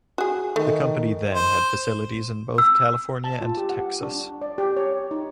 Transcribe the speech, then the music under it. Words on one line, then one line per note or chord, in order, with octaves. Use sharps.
The company then had facilities in both California and Texas.
F#4 G#4
D#3 A3
C5
E6
A5
F4
G4
F#5
D4
D5
G4
C#5
D#4